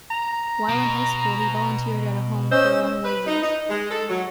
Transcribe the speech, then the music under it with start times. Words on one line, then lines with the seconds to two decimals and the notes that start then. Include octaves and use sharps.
While in high school, he volunteered at a home for runaway youth.
0.11 A#5
0.69 B2
2.52 C#4 C5 D#5 E6
3.05 B4
3.27 D#4
3.43 D#4
3.70 G#3
3.90 A4
4.09 F#3